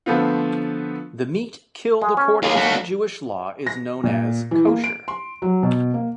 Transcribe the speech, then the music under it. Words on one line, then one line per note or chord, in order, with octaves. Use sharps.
The meat killed according to the Jewish law is known as kosher.
D3 F3 A3 B3 C4 F4
G#3
C#4
D#2 F4 G#4
A3 F#4
A#6
A#2
E3
A#3
D7
C6
F#3
B2
A#3